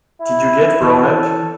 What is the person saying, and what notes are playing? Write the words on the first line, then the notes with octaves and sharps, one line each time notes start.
Did you get blown up?
E4
E3 A4